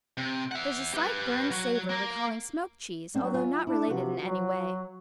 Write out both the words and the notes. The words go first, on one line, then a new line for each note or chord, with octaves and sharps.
There's a slight burned savor recalling smoked cheese, although not related in any way.
C3
E5 F#5
G4 B4
F#3 F#4
A#3
F#3 B3 C4 D4
F4 G#5
D4 E4
C3 F3 F#4 B4
F#3